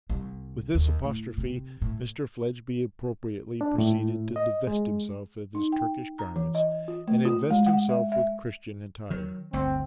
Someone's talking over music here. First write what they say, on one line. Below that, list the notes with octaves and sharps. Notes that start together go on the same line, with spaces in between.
With this apostrophe Mr Fledgeby appropriately proceeded to divest himself of his Turkish garments, and invest himself with Christian attire.
C2
D#2
A2
C3
A2
D4
A2
D#5
G#3
D#4
G5
A#5
E3
D#5
F4
A3
F4
G#3
F#5
E5
E5
D#3 F#3
G1 D2 C4